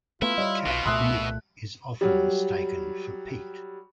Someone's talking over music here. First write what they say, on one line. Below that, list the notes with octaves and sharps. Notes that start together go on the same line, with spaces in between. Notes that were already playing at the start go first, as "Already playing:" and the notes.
Kat Nipp is often mistaken for Pete.
A3 B3 E4 F4 B4
G3 C#5 D#5
B1 B2
C2 A#2 A3 E5 C6 D#6 F#6
F#3 G3